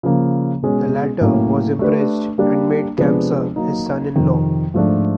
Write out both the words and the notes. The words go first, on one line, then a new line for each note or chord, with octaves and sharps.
The latter was impressed and made Kamsa his son in law.
C#3 F3 A#3
B2 G#3 C#4
A2 F#3 A#3 C#4
A3 D4 G4 B4
G3 A#3 D4
C3 F3 G#3 B3 D4
F#3 A#3 D#4
F2 C3 D#3
G#2 F3 A3 D4 F4